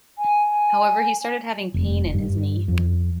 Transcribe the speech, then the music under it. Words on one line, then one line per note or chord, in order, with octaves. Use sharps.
However, he started having pain in his knee.
G#5
F1
G2
F2